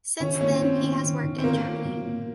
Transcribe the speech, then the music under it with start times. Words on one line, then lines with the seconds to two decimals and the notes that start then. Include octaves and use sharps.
Since then he has worked in Germany.
0.20 D#3 C#4
0.41 A#3 C#4
0.61 C4 D#4
0.82 D#3
1.03 D#3
1.24 D#3
1.38 C4
1.44 A#3 F4
1.65 F4
1.85 F#3
2.06 A#2